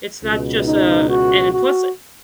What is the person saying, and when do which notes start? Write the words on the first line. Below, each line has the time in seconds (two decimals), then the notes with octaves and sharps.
It's not just a and then plus
0.23 C#2 B2
0.67 D#4
1.09 F#4
1.52 F#4